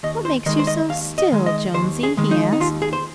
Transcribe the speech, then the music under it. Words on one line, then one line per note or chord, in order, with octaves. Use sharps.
"What makes you so still, Jonesy?" he asked.
D#2 D#5
C5
D#3 G#3 D#5
C5
D#5
D#2 F5
D#5
D#3 G#3
D#5
D#2 C5
G#4
D#3 G#3
D#4
D#4
D#2 F4
G#4
C5